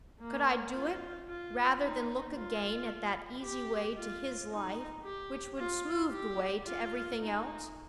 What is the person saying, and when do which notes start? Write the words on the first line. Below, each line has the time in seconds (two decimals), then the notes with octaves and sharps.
Could I do it, rather than look again at that easy way to his life which would smooth the way to everything else?
0.21 A#3
0.74 F4
1.28 F4
1.81 D#4
2.35 F4
3.42 G4
3.97 F4
4.50 D#4
5.04 G4
5.57 F4
6.11 G4
6.66 F4
7.19 D#4